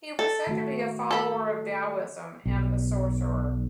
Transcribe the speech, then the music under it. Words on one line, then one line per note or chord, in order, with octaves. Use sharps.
He was said to be a follower of Taoism and a sorcerer.
A4
D#3 A3 F#4
A4 B5
B1